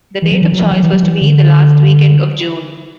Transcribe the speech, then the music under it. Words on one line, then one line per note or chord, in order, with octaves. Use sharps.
The date of choice was to be the last weekend of June.
E3
F#3
E3
F#3
E3
F#3
E3
F#3
E3
D3